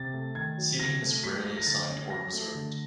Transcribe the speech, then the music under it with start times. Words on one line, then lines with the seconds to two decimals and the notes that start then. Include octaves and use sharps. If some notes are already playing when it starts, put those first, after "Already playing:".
Seating is rarely assigned or reserved.
Already playing: C3 A6
0.14 A3
0.35 D#3 G#6
0.58 F#3
0.79 C3 A#6
1.01 A3
1.23 F#3 B6
1.45 A3
1.57 A#6
1.67 D3 A6
1.90 C#4
2.10 F#3 A#6
2.33 A3
2.55 D3